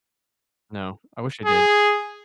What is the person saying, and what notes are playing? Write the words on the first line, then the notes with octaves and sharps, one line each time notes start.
No. I wish I did.
G#4